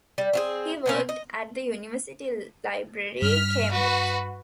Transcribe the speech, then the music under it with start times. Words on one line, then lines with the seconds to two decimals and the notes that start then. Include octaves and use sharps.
He worked at the University Library, Cambridge.
0.18 G3
0.33 C4 F4 G#4
0.86 B2 C4 C#4
1.09 D#5
3.22 G2 F6 B6
3.71 F#4 B4